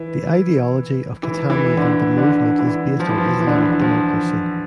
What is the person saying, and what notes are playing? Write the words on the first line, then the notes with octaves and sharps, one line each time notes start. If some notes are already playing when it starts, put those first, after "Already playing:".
The ideology of Khatami and the movement is based on Islamic democracy.
Already playing: E3
E3
E3
D3
D3
E3
F3
E3
F3
E3
D3
E3
F3